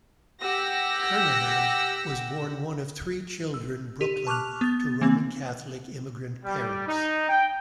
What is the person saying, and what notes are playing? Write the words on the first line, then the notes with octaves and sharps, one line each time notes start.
Kernaghan was born one of three children Brooklyn to Roman Catholic immigrant parents.
G4 F#5 E6 A#6
E6
G4 D#7
A5 C#6 D6 F6 F#6 F7
B3 A6
E3 A#3 C4
G3
D#4
G5